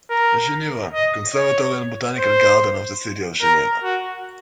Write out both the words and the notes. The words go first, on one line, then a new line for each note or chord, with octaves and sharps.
Geneva: Conservatory and Botanical Garden of the City of Geneva.
A#4
D#5
C#5
C5
A#4
F#4